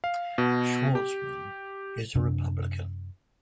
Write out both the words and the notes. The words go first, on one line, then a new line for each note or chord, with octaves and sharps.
Schwarzman is a Republican.
F5
B2
G4
F#2 C3 D4